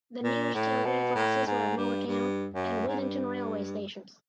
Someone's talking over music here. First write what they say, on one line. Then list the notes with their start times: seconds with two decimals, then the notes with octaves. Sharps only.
The nearest telegraph offices were at Moreton and Withington railway stations.
0.23 A#2
0.54 A2
0.85 B2
1.15 A2
1.46 G#2
1.76 G2
2.07 G2
2.54 F#2
2.87 G#2
2.99 G2